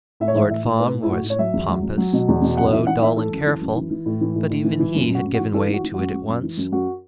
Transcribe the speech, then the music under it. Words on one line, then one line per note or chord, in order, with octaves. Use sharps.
Lord Fawn was pompous, slow, dull, and careful; but even he had given way to it at once.
A2 E5
C#5
E3 E5
A2 E5
A2
A2 B4
A2
E4
A2 F#4
A2
C#5
F#3 E5
E2
F#3
F#3
F#3
B2
E2
B2
F#2 F#5
E3 E5
E3 F#5
E3 E5
E3 A4
F#2
E3
F#2
E3
E3
A2
E3
A2
A2
E3
E3
F#2
F#2
F#4
F#2
F#4
E3
E3 A4
E3
F#4
E3
F#2 F#4
F#2
F#2
E3
F#2
F#2 F#4